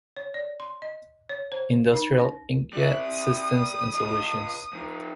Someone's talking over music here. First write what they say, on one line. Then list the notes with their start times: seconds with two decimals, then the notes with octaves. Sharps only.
Industrial inkjet systems and solutions.
0.16 C#5
0.34 D5
0.60 C6
0.82 D#5
1.29 C#5
1.52 C5
1.94 D#4
2.19 C#4
2.73 G3 E5 F#6
3.02 D#6
3.93 C#3 D#5
4.73 F3 D#4